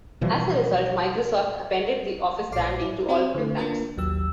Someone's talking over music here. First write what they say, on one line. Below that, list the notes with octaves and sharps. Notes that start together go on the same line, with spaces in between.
As a result, Microsoft appended the Office branding to all programs.
B2 E3 F3 G3
A#1 A2 D5 F5 D6 C7
E4
C4 F#4 G4 C5 C#5
D3 A3
A#3 D4 F4 A#4 B4
A1 D#2 F#3 G4 E6